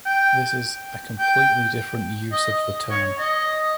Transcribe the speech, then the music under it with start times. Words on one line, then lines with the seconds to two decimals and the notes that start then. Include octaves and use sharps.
This is a completely different use of the term.
0.06 G5
1.19 G5
2.33 D#5
2.91 C#5
3.19 D#5